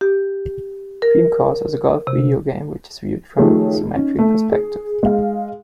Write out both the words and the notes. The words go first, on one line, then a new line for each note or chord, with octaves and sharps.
"Dream Course" is a golf video game which is viewed from an isometric perspective.
G4
A#4
C3
D#3 F3 A3 G4 G#4 C#5
C#4 D#4
A3
G#4
G#3 F5